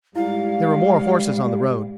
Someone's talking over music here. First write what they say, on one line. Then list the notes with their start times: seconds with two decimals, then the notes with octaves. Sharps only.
There were more horses on the road.
0.16 G#2 G3 E4 F5